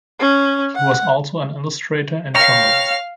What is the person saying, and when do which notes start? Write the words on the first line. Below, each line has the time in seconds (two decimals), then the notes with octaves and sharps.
He was also an illustrator, and journalist.
0.20 C#4
0.75 F#5
2.35 C#5 F5 G5 A#5 F6